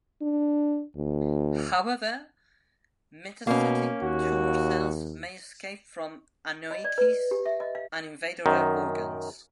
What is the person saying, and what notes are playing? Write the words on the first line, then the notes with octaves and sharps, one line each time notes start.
However, metastatic tumor cells may escape from anoikis and invade other organs.
D4
D2
B2 A#3 C#4
D#2 F#4
D#5
D5
B4
G4
E5
D#5
F5
F#2 D#3